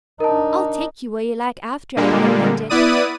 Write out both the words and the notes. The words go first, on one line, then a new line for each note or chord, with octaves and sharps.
I'll take you where you like after I've got it mended.
D4 D#4 A#4 A5
A#2 D3 G3 G#3 A#3
B3 E4 B4 D5 D#6 D#7